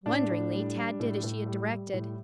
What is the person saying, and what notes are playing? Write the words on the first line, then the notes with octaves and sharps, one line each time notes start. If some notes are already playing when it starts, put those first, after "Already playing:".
Wonderingly, Tad did as she had directed.
A2 D4
A2
G3
G3
A2
A2
G3
G3
A2